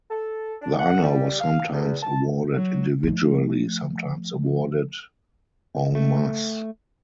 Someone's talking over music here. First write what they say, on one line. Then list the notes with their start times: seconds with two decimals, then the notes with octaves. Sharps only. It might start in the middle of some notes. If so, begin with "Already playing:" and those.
The honor was sometimes awarded individually, sometimes awarded "en masse".
0.10 A4
0.61 D4
0.78 F#5
1.02 G3
1.40 F5
1.73 E2
2.02 A5
2.53 F#3
3.03 F3 A3
5.95 A3